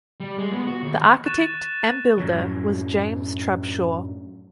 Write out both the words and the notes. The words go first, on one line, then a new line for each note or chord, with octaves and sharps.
The architect and builder was James Trubshaw.
G3
G#3
B3
F#4
D#2
C#6 F#6 A6 D#7 E7
F#2 A2 F#3